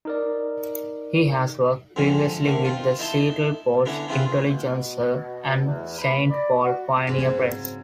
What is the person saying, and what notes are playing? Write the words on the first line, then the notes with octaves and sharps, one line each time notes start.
He has worked previously with the Seattle Post-Intelligencer and Saint Paul Pioneer Press.
D#4 A#4 D5
F2 G#2 D3 C4 C#4 A4
D3 D#3 A3
C4 F4
D#4 E4 A5 C6
D3 B3 C#4 D4 E4
C4 E4 F4 G#4 B4
B2
E2
B5
D5
F#4
G#2 G#3 B5
G#2 C#3 F#3 C4